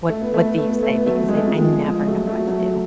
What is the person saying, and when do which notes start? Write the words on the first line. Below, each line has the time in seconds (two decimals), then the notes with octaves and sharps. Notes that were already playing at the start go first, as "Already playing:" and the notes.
What what do you say, because I I never know what to do.
0.09 A3
0.21 B3
0.34 A3
0.45 B3
0.58 A3
0.70 B3
0.83 A3
0.95 B3
1.06 F#3 A3
1.28 G#3
1.37 A3
1.47 F3 G#3
1.58 F3 G#3
1.88 F3 G#3
2.07 F#3 A3
2.27 F#3 A3
2.47 F#3 A3